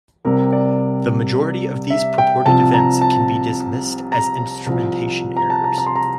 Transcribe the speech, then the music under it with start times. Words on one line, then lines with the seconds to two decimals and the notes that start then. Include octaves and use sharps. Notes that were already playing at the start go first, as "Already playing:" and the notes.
The majority of these purported events can be dismissed as instrumentation errors.
0.25 C2 C3 G3 A#4
0.53 D5
1.90 E5
2.18 G5
2.46 C2 C3 F3 A5
2.74 A#5
3.01 A5
4.12 A#5
4.67 C2 C3 F3
5.37 A#5
5.50 A5
5.64 A#5
5.78 A#5
5.86 C6
5.96 A#5